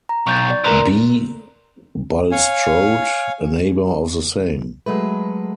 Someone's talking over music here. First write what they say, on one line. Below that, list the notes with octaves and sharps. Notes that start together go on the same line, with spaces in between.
B. Bulstrode, a neighbour of the same.
A#5
B1 C#6 G6 A6
D5
A#2 E3 A#4 A#5 C6
C#5 F5 G#5
F#3 G#3 A3 B4